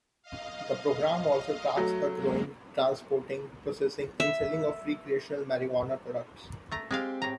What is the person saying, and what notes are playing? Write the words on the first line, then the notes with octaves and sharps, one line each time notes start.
The program also tracks the growing, transporting, processing and selling of recreational marijuana products.
D#5 F5
F#3 A3
F#2 G#3 A#3
E5
A3 A#5
G#3 C4 G4 D5 F5
A2 A#5